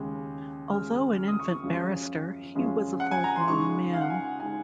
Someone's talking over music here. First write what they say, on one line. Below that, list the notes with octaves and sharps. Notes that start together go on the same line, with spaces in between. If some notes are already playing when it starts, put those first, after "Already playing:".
Although an infant barrister, he was a full-grown man.
Already playing: D#2 C#3 G#3
D#2 C#3 G#3 F6
F6
D#6
C#6
D#6
F#2 F3 G#3 C#4
F#2 F3 G#3 C#4
F#5
G#5
A#5
C6
C#3 G#3 D#4 C#6
F5
F#5
G#5
C#3 G#3 D#4 G#5